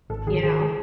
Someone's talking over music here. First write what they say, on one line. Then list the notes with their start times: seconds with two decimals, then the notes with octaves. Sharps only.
you know,
0.10 G#1 A4
0.27 D#3 G#4
0.43 D#3 G#4
0.60 G#4